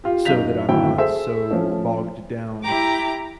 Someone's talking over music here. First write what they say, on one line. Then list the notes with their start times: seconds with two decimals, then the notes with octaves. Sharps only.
so that I'm not so bogged down
0.04 F4 G4
0.25 F#2 D#4 F5 G6 B6 F7
0.69 G#1 F#2 D3 A3 E4 G5
0.98 G#4 A4 C5 E5
1.51 F3 A3 C#4
2.62 E4 G4 G5 A#5 D6